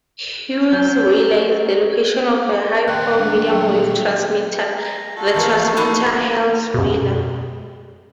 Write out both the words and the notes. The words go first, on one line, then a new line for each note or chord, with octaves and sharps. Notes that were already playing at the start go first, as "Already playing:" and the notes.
Heusweiler is the location of a high power medium wave transmitter, the transmitter Heusweiler.
F#3 C#4 G6 G7
A#2 D#3 G5 C6 F#6
G#3 D4
F#3 G5
A#5
F4 F#4 A4
E3 F3 A#3
D#4 E4 F#5
F#2 B2